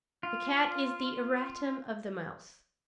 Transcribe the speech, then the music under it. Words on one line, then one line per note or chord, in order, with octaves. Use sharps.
The cat is the erratum of the mouse.
F4